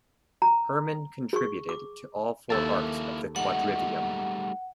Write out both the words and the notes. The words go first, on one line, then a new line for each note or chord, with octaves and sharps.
Hermann contributed to all four arts of the quadrivium.
A#5
G#4 C#6
D6
D#2 A#3 E4 A4 A5
G3 A3 D#4 F#5